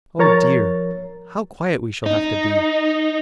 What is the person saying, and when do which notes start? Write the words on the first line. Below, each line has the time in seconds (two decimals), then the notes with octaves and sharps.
Oh dear, how quiet we shall have to be!
0.19 F3 A#4 C#5 A#5 A6
2.06 D#4